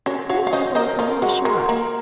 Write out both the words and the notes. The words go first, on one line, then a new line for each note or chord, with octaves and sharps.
Mrs. Thornton was shy.
C#4 F#4 A#4
F#4 C#5 F5
F5
C#4 C5 D#5
A#4 C5 D#5
C#4 F4 A#4
G#3 F#4
G#3 A#4
A#3 A#4